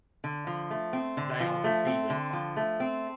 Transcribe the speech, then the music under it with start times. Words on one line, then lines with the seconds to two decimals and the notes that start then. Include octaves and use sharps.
They are deceivers.
0.24 D3
0.47 F3
0.70 A3
0.93 C4
1.17 D3
1.40 F3
1.64 A3
1.87 C4
2.10 D3
2.33 F3
2.56 A3
2.80 C4